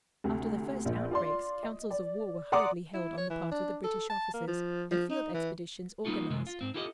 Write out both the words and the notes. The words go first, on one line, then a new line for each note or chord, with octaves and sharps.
After the first outbreaks, councils of war were hurriedly held on the part of the British officers, and field expeditions organized.
D2 C3
A#1
F4 D5 C6
D#5
D5
D5 F#5 A#5 C6 D6 D#6
E4
C#5
E3
D4
A4
A5
A#3
F3
F3
D#4
E3
G3 A#3 D#4 F4 F#4
F#2 C3 F#3 G#3
F4
G#2 C4
E4 F4 G4 A4 A#4 D#5